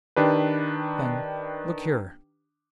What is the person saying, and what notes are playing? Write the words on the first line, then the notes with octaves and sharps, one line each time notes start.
Then, "Look here!"
D#3 D4 G4 B4